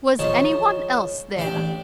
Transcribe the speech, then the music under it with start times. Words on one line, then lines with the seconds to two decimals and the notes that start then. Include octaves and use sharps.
Was any one else there?
0.19 F3 C#4 D#4 G#4 A5
1.37 A1 D4 G4 D5